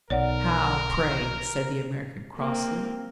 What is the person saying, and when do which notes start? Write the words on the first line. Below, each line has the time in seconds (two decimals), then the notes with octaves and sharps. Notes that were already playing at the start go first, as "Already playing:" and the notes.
"How, pray?" said the American, crossly.
0.10 B1 A#4 C#5 D5 F#5
2.37 A#3 C4